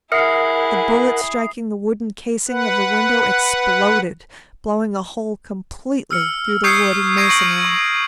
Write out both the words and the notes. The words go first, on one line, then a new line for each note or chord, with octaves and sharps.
The bullet striking the wooden casing of the window exploded, blowing a hole completely through the wood and masonry.
E4 G#4 A#4 E5 F#5 D#6 C7
B4 F#5
E6 F6 C#7
C#6 D#6 G6 G#6 C7 C#7
C#6 G#6 A#6 C7 D7 D#7
C#6 A#6 C7 D7 F#7
C#6